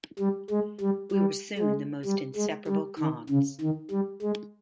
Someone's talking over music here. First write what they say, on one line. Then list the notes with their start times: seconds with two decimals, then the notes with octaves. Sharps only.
We were soon the most inseparable cons.
0.19 G3
0.51 G#3
0.81 G3
1.12 G3
1.58 G#3
2.05 G3
2.36 G#3
2.68 G3
2.98 D#3
3.29 C#3
3.60 D#3
3.91 G3
4.22 G#3